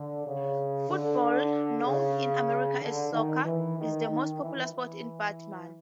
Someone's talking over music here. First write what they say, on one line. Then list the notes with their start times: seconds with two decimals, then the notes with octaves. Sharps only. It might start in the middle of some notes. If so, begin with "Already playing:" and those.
Football, known in America as soccer, is the most popular sport in Batman.
Already playing: D3
0.26 C#3
0.89 D3
1.85 C#3
2.81 D3
3.12 D#3
3.44 E3
3.77 D#3
4.08 D#3
4.41 E3
4.72 E3